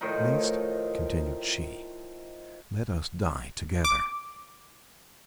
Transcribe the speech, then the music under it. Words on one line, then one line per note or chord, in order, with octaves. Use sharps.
"At least," continued she, "let us die together."
A2 D#3 F3 D#4
D6